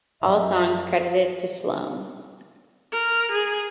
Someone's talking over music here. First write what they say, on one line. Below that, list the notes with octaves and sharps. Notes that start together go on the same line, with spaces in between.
All songs credited to Sloan.
F#2 E5
A#4
G#4